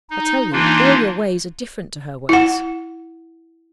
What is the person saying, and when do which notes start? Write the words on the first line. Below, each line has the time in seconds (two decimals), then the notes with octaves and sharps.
I tell you, all your ways are different to her ways.'
0.10 D#4
0.53 E3 A#3 D4 D#4 F4
2.29 E4 F#5